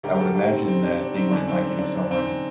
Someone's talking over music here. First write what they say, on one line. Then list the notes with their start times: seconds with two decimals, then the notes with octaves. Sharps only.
I would imagine that they wouldn't like it if someone
0.03 D2 D3 G3 G4 A#4
0.15 G4
0.19 F#4 A4
0.36 D#4 G4
0.52 C4
0.68 C4
0.84 D4
1.00 D4
1.15 C4 D#4
1.31 F#2 D3 G3 D4
1.47 C4 D#4
1.64 D4
1.79 D4
1.95 D4
2.11 C4 D#4
2.27 C4